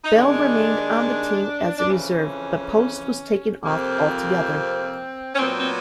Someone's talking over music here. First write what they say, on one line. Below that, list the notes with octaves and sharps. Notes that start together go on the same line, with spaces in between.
Bell remained on the team as a reserve, but Post was taken off altogether.
D#4
D#2 D#3 G#3 D4
D4
F2 C#3 E3 C#4
F2 C3 F3 A#3 C4
C#4
A#2 F#3 B3 C4
C4